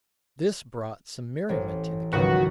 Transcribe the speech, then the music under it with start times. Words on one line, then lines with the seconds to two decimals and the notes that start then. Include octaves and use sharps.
This brought some merriment in the camp.
1.49 A1 A4 C5 C#5
2.13 C#2 G#2 D#3 F3 F#3 F#4 B4